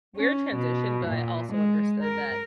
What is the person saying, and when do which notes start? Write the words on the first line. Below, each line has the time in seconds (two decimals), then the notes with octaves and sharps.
weird transition, but I also understood that
0.17 C#4
0.56 B2
1.08 A#2
1.53 G#3
2.02 A#4